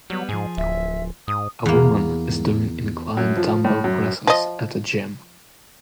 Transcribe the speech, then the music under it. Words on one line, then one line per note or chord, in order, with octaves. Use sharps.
A woman is doing inclined dumbbell presses at a gym.
F#3 G3 B3
G#2 F3 G#4
D1 E5
G#2 D#6
E2 A#3
F#2
F3
A2
F#2
F3 D#5